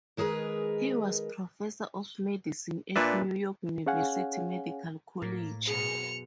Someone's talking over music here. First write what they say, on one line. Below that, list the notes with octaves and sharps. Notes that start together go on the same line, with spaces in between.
He was Professor of Medicine at New York University Medical College.
D#3 G#3 G#4 A#4 B4
A#2 D4 B4 E5
C#4 G#4 C#5 F5 F#5 G#5
A2 A#3
F#2 B2 G#4 C#7 F7